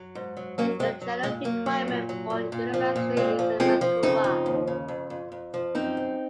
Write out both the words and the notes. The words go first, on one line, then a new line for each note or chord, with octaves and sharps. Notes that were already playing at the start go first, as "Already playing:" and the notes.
The general requirement for university is the Matura.
Already playing: F#3
G#2
F#3
F#3 A#3 C#4
F#3 G#3 C4
F#3
A#2 G#3
F#3 A#3
F#3
A#2
F#3
A#2
A#2
F3
A#2
A#2 G#3 C4
F3
F3 G#3 C4
F3
C#3 C4 D#4
F3
D#2
C#3
F2
F2
F2
F3
F#2 C4 D#4
F#2